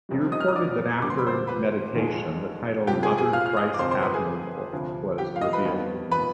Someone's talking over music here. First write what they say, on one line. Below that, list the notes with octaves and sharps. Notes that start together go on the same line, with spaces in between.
He reported that after meditation, the title "Mother Thrice Admirable" was revealed to him.
F1 F2 C3 G3
D#5 D#6
F6
D#6
D5 D6
F2 D3 G3 B3 D6
C6
B5
C5 C6
B4 B5
F1 D#2 D#3 G#3
F2 C3 F3 G4 G5
G#4 G#5
G#4 G#5
F5 F6
F6
D#5 D#6
D6
G1 F2 C3 C5 C6
C5 C6
B4 B5
G#4 G#5
D2 C3 F3
G4 G5
F5
D#5
B4 B5
F2 D#3 G3 B3
B4 B5